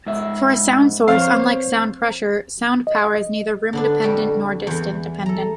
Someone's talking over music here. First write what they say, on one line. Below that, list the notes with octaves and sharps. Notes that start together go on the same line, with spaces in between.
For a sound source, unlike sound pressure, sound power is neither room-dependent nor distance-dependent.
G#2 E5
F3 C4 C5 C#5 F5
D#5
D3 B3 D4
F2 G3 F#4
E2 E3
A4 A#5